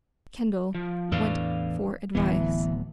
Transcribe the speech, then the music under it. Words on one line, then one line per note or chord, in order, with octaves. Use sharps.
Kendall went for advice.
F3
E2 A2 E3 D4 F5
D1 E3 B3